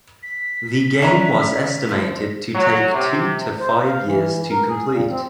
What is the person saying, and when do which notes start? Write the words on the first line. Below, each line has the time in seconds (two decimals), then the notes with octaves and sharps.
The game was estimated to take two to five years to complete.
0.23 B6
1.02 C#4 D4 F4 E5 A#5
1.87 E2 D3 F3
2.54 F#3
2.94 C3
3.60 C5
3.86 F5
4.07 E3
4.50 A#4
4.69 G#4
4.91 A#2
5.10 C4